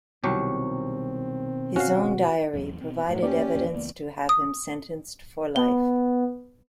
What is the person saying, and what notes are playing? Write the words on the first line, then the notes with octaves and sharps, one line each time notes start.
His own diary provided evidence to have him sentenced for life.
C2 B2 D#3 F#3 C4 G4 C#6
C#4 F#4 F5
A1 E2 F#3
B2 C4
F#2 A2 F#3 A3
A#3 C#4 G4 D5
A#1 D#2 F3
C#2 E3 B3
D#6
B3 G7